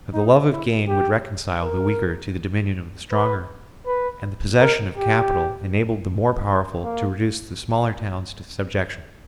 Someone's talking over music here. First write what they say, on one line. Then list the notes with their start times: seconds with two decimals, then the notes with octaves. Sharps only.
For the love of gain would reconcile the weaker to the dominion of the stronger, and the possession of capital enabled the more powerful to reduce the smaller towns to subjection.
0.14 D#4
0.51 E4
0.88 G4
1.63 A#4
3.11 B4
3.86 B4
4.61 A#4
4.98 G4
6.84 A#3